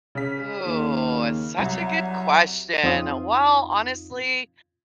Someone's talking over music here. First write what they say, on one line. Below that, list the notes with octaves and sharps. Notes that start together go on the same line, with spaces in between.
Ooh, such a good question. Well, honestly,
C#3 B6
D#2
C2 F#3
F2 C4 D#4 F4 D#6